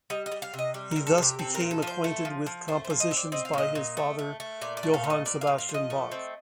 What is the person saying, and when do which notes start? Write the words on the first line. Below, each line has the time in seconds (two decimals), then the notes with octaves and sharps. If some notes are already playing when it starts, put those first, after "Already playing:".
He thus became acquainted with compositions by his father Johann Sebastian Bach.
0.10 G3 D#5
0.26 D#5
0.32 G3
0.42 F5
0.54 C3
0.59 D#5
0.74 G3
0.91 C3 A#4
1.07 A4
1.18 C3 G4
1.39 C4 A4
1.55 A#4
1.60 A#2
1.71 A4
1.82 F3 C5
2.04 A3
2.25 F3
2.46 F3
2.68 A3 C5
2.85 C5
2.90 F3
3.00 D#5
3.11 C4
3.17 D5
3.32 C4 D#5
3.45 F5
3.53 A#2 D#5
3.75 A#2
3.97 A3
4.19 A3
4.40 A3
4.61 A#2 D5
4.77 D5
4.83 A3
4.94 F5
5.04 A#2
5.10 D#5
5.26 A#2 D5
5.41 F5
5.47 A#2
5.58 F5
5.69 F3
5.74 D#5
5.90 A3
6.12 C4